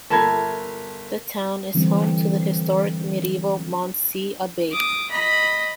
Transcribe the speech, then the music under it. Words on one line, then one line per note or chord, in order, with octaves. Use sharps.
The town is home to the historic medieval Mondsee Abbey.
G1 A4 A#4 E5 A5 B5 G#6
D3 E3 G3 C4
D6 D#6
D#5 B5